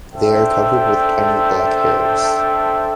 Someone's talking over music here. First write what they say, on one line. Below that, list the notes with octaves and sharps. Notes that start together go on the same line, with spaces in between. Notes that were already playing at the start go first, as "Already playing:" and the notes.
They are covered with tiny black hairs.
D4 A4 C5 E5 G5